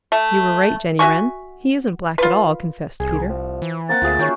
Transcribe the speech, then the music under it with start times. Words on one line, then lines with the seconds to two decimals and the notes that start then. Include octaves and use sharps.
"You were right, Jenny Wren; he isn't black at all," confessed Peter.
0.12 A3
0.99 F#4 E5 G#5 C#6
2.18 F4 B4
3.00 C2 G#4
3.30 F3
3.62 E3
3.89 A#3 C4 F#5 A6
4.02 D2 F4 G#4 E5
4.19 D#3 F#3 C#4 F#4 G5